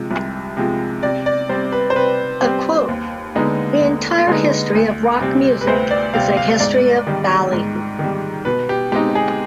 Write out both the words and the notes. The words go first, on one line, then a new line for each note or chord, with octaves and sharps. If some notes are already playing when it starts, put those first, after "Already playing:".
A quote: The entire history of rock music is a history of ballyhoo.
Already playing: C3 F3 G#3
C2
C3 F3 G#3
C3 D5
D5
G3 C4 C5
B4
C5
C3 B4
G3 C4
D#2
D3 G#3 B3 D#4
D#2
D3 G#3 B3 D#4
D2
C3 G3 C4
B4
D2 C5
D5
C3 G3 C4 F5
F5
G#2 D5
D#3 G3
G#2
D#3 G3
B2 B4
G4
G#3 C4 D#4 G4
G#4